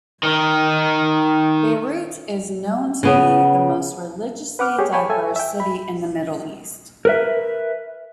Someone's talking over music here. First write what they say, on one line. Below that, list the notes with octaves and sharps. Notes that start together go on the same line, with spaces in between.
Beirut is known to be the most religiously diverse city in the Middle East.
D#3 D#4
C#3 B3 C#4
B4 F#5 D6 F6
G4 G#4 C#5
C#5 G5 G#5 B5 C#6
A4 E5 G#5
E5 G5
B5
A#4 B4 E5